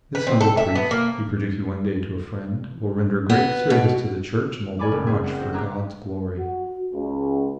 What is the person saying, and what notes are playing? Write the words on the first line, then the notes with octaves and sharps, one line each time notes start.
"This humble priest," he predicted one day to a friend, "will render great service to the Church and will work much for God's glory."
B4
C4
A4
E5
B3
A#3
B3
B2
C#5 D5 G#5 B5 D6
F#1
C4 G#4 E5
F#5
F#4 C5
G4 G#4 A#5 E6 F#6
F#4
C#2